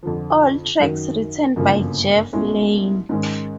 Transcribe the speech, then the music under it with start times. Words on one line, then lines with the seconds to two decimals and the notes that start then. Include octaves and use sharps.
All tracks written by Jeff Lynne.
0.03 F2 D3 F3
0.80 F#2 D#3 F#3
1.56 G1 F#2 C#3 F3 A#3
2.33 C2 B2 G#3 C#4 E4
3.09 G#2 D#3 G#3 C#4